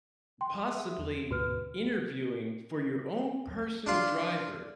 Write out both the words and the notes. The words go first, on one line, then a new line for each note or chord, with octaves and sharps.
possibly interviewing for your own personal driver.
G5 C6
G#3 E5 D#6
E2
D2 G#2 B2 F#4 B4 F6
D4 F4 C6